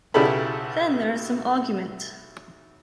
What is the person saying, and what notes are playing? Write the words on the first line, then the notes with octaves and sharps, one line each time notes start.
Then there is some argument.
B1 C#3 E4 G4 A4 B5